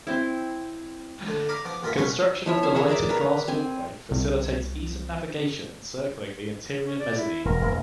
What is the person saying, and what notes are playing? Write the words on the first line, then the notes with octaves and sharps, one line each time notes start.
Construction of the lighted glass walkway facilitates ease of navigation encircling the interior mezzanine.
C4 E4
D3
F5 A#5 B5 D6
F3 B3 D6
D#2 B3 F4 A#4 E5
C2 B2 C4 C#4 B4 C6
F3 E4 C#5
E5 F5 G#5
G#4 A#4 E5 F#5
A#4 D5 E5 D6
A#4 B4
C4 G#5
C2
C#4
D5
E4
E1 A#4
E1 A#1 G2 A#4